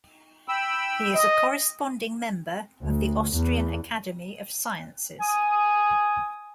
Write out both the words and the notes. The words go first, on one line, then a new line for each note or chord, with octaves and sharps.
He is a "Corresponding Member" of the Austrian Academy of Sciences.
G5 B5 E6
D#5
D2
E2
G#5 D#6